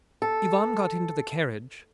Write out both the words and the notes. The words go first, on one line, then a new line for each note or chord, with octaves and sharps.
Ivan got into the carriage.
A4